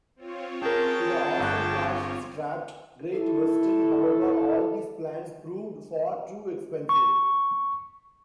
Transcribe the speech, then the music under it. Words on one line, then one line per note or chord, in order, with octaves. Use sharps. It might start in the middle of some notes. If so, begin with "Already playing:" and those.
To the often cash-strapped Great Western, however, all these plans proved far too expensive.
C4 F4 C#5
C#4 G#4 A#4 G5 A5
G1 F#6
E4 A4
C#6